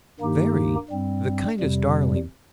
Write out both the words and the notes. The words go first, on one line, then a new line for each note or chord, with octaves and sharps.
'Very--the kindest darling.
G2 D#3 A#3 D#4 G4
G2 G3 C4
F2 C3 G3